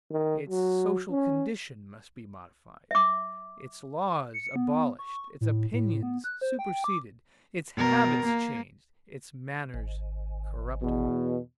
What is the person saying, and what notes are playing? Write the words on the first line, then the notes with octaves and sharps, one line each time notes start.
Its social condition must be modified, its laws abolished, its opinions superseded, its habits changed, its manners corrupted.
D#3
F#3
C#4
E5 D6
C#7
B3
C#6
A2
A2
B3
F#6
C5
G5
D6
B2 A#4
A#3
G#1
E2 B2